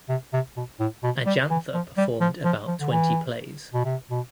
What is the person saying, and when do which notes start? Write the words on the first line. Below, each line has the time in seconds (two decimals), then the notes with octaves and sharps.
Ajantha performed about twenty plays.
0.09 C3
0.33 C3
0.56 B2
0.80 A2
1.03 B2
1.26 G3
1.50 E3
1.74 F3
1.97 G3
2.21 F3
2.44 F3
2.67 F3
2.80 D3
2.91 E3
3.73 B2
3.85 C3
4.11 B2